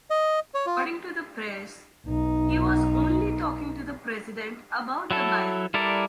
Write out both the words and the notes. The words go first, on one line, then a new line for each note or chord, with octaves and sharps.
According to the press, he was only talking to the President about the Bible.
D#5
C#5
F4
B1 D#4
F#3 E4 A4
G3 E4 A4 A#4 D5